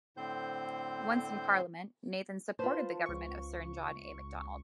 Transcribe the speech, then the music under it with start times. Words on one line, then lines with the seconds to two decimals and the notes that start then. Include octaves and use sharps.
Once in Parliament, Nathan supported the government of Sir John A. Macdonald.
0.17 A2 D3 C4 C5 G6
2.59 F4 B4 C5 A5
3.06 C#2 C#6